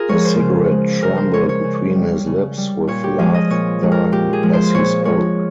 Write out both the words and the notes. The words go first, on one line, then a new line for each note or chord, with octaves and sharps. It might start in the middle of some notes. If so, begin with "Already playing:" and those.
The cigarette trembled between his lips with laughter as he spoke.
Already playing: F4 G#4 A#4
F3 G#3 C#5
C5
C#3
G#3
C#3 A#4
C5
G#3 C#5
C#5
C#3
G3
C#3
G3
A#2 C#5
G4
F3 G#3 G#4
D#5
A#2 C#5
F3 G#3
A#4
A#2 G4
G#4
F3 G#3
C5
A#2 C#5
F3 G#3 C#5